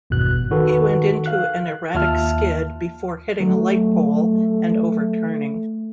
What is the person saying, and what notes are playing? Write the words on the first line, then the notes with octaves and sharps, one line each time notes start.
He went into an erratic skid before hitting a light pole and overturning.
G#1 E2 G2 B2 F#6
D#3 F#4 A4 B4
F5 F#6
D#2 F4 E5 A5 F6
F#3 A3